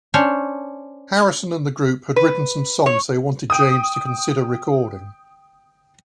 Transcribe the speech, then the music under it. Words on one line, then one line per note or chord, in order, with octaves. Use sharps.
Harrison and the group had written some songs they wanted James to consider recording.
C#4 D4 C5 C#5
B4
C#5
G5 D#6